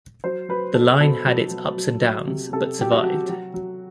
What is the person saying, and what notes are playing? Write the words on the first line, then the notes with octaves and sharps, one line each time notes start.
The line had its ups and downs, but survived.
F#3 C5
F#3 B4
B2 A4
B2 A4
F#3
F#3
F#3
F#3
C3
C3 A4
F#3 G4
F#4
F#3
F#3 F#4
F#3